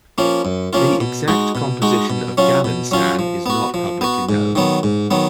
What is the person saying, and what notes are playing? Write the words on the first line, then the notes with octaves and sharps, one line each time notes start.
The exact composition of Galinstan is not publicly known.
F3 A#3 C#4 F4
F#2
F3 A#3 C#4 F4
B2
G#3 D#4 F#4
B2
G#3 D#4 F#4
B2
F#3 C#4 F4
B2
F#3 C#4 F4
F3
B3 F#4
F3
B3 F#4
G#2
D#3 F#3 B3
G#2
D#3 F#3 B3